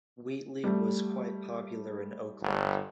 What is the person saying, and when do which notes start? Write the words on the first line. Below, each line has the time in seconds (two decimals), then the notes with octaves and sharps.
Wheatley was quite popular in Oakland.
0.64 G3 A3
2.41 G1